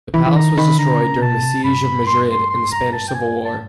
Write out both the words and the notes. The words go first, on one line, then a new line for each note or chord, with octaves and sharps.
The Palace was destroyed during the Siege of Madrid in the Spanish Civil War.
E3 B5
E3
D#3 A#5
D#3 B5
D3 A#5
C#3
B2 A5
C3
G2 B5
C6
C6
C6
A#5
A5
G5
G#5
A5